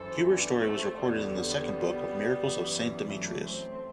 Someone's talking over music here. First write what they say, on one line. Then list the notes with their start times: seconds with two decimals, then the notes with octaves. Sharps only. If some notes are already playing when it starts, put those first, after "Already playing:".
Kuber's story was recorded in the second book of the "Miracles of Saint Demetrius".
Already playing: F#2 E3 A4 C5
0.27 B3 D4
0.62 A3 C4
0.97 E2 D3 G3 B3
2.39 F#2 E3
3.09 F#3 A3
3.44 A3 C4